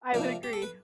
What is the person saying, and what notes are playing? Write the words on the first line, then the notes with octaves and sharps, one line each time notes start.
I would agree.
C3 F3 A#3 D4
G4
A4
B4